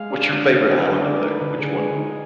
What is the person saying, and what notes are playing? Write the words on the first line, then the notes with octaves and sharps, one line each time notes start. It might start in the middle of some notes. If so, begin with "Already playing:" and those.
What's your favorite island over there? Which one?
Already playing: G#3 F5
D4
D3
D3 F5
G#3
B4
D4
G#3 D5
D#4 A#4
B4
D3
D3 G#4
G#3
D#4